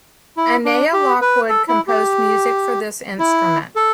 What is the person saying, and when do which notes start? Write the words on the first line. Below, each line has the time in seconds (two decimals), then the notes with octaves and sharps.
Annea Lockwood composed music for this instrument.
0.37 E4
0.65 D4
0.93 G4
1.21 B4
1.49 A4
1.68 E4
1.87 G4
3.19 E4
3.76 A4